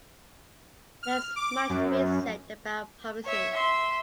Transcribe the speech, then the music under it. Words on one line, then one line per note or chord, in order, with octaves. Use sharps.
There is much to be said about promising.
F6
D6
F#2
C#5 E5
E5 C6